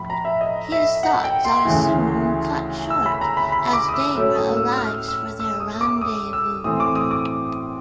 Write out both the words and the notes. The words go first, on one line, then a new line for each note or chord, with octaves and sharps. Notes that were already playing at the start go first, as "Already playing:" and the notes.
His thoughts are soon cut short as Degra arrives for their rendezvous.
Already playing: A2 F3 B5
A#5
E5
D#5
E5
F#5
G5
C6
D2 C#3 E3
E6
B5
A#5
B5
B5
D6
D#6
E6
A2 F#3 A3 C#4 E6
D#6
E6
F6
E6
E6
D#6
D6
D#6
E6
A2 E3 A3 C4 D#6
D6
D#6
D6